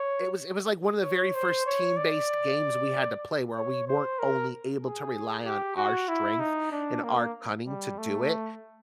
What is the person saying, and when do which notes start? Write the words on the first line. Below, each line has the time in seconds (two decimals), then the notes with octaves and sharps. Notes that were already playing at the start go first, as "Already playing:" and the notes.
it was it was, like, one of the very first team-based games we had to play where we weren't only able to rely on our strength and our cunning to do it,
Already playing: C#5
1.02 C#5
1.34 C5
1.66 C#5
1.97 D5
3.55 C#5
3.88 C5
4.19 A#4
4.82 G#4
5.45 G4
5.77 F#4
6.08 E4
6.40 D#4
6.72 D4
7.04 A#3
7.67 G3
7.98 A3